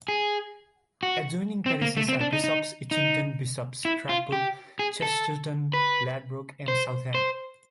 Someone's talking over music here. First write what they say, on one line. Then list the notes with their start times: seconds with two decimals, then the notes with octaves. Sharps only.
Adjoining parishes are Bishop's Itchington, Bishop's Tachbrook, Chesterton, Ladbroke and Southam.
0.08 G#4
1.03 F#4
1.66 C4
1.82 A#3
1.97 A3
2.09 C4
2.21 D4
2.33 D#4
2.44 D#4
2.91 D#4
3.85 E4
4.09 F4
4.32 G4
4.79 G#4
5.02 A4
5.73 B4
6.68 C5
7.15 C5